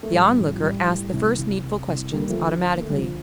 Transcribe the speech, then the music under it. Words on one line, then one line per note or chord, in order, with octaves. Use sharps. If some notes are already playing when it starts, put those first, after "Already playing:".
The Onlooker asked the first needful questions automatically.
A3
A1 G3
A1
F3
A2 G3
A2
C2
C2
C2
C2
D2 G3 A#3
F3 A3
D3
F3
D2
A#3
A3
D2 G3
F3